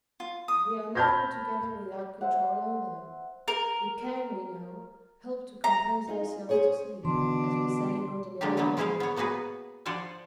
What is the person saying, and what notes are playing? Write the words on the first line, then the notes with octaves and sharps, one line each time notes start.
But we are not altogether without control over them. We can, we know, help to compose ourselves to sleep, as we say in ordinary language.
F4
D#6
A5 B5 F6 G6 G#6 A#6
C5 E5 F#5
A#4
A#5
D#4 F4 G#4
C#4 G#4 C5 C#5
B2 D3 E3 D4 C6
D3 G#3 A#3 D4 G4
D3 E3 F#3 G#3 A#3 B3
F3 G#3 E4 G#4 C5 F5
B3 C#5
A#3 B3 F#4 G#4 B4
F3 C5 D5 F#5 G#5